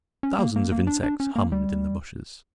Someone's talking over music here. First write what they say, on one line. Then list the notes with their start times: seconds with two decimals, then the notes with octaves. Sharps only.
Thousands of insects hummed in the bushes.
0.23 C#4
0.39 A#3
0.56 A#3
0.72 A#3
0.87 D4
1.04 D4
1.20 C#4
1.36 A#3
1.52 G3